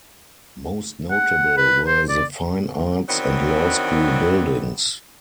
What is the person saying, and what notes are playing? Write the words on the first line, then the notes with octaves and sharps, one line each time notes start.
Most notable were the Fine Arts and Law school buildings.
F#5
B4
C5
D5
D#3 E3 F#3 B3 C4 D4